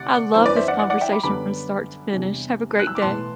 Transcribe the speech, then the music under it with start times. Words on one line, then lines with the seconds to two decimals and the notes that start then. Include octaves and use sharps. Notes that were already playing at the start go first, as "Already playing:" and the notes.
I loved this conversation from start to finish. Have a great day.
Already playing: D2 C3 D5 F#5
0.34 F#2 E3 B3 D4 C5
0.46 B4 D5
0.56 C5 E5
0.68 D5 F#5
0.79 D5 F#5
0.90 D5 F#5
1.01 E5 G5
1.12 B5 D6
1.23 F#2 D3 G3 B3 D4 B5 D6
2.13 E2 C3 G3 D4
2.79 F#6
2.87 E6
2.95 D6
3.02 B1 A2 E3 B3 A5 C6